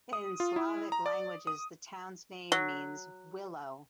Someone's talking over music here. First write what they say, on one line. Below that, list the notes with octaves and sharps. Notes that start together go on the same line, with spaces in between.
In Slavic languages the town's name means "willow".
D#6
F4
E4
A#5
D5
D#6
F#3